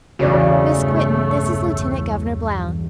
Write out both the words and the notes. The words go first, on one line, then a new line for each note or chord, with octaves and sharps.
Miss Quinton, this is Lieutenant-Governor Blount.
B1 E2 G2 C#3 A3 F#4 C#5 D5